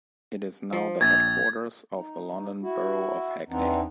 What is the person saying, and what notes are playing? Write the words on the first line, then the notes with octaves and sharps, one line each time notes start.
It is now the headquarters of the London Borough of Hackney.
F3
A#1 G#6 A6
D#4
E4 F#4
E2 E3 B3 C4 D4 D#4